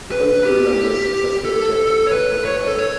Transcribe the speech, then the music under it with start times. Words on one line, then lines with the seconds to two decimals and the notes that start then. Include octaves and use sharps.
Both crew members successfully ejected and were recovered.
0.12 B4
0.45 G4
1.45 A4
2.07 C#5
2.12 B4
2.45 C#5
2.68 A4
2.79 C#5